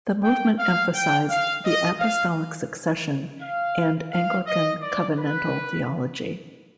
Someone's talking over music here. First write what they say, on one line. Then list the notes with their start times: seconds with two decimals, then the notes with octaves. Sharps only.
The movement emphasized the Apostolic Succession and Anglican Covenantal Theology.
0.23 G5
0.59 F5
0.94 G5
1.29 F5
1.65 D#5
2.00 F5
3.41 F5
4.12 F5
4.47 D#5
4.82 D5
5.17 B4